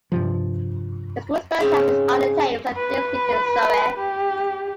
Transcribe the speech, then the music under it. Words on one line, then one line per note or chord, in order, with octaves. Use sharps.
The school's boathouse is on the Thames at Thames Ditton, Surrey.
G2 C3 F3
G#2 C#3 C4
B4
G4